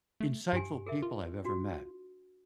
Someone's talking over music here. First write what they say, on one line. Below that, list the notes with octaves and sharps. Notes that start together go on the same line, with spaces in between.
insightful people I've ever met
A3
G2 G4 G#5
G#4 A#4 E5
F4
D4 F#4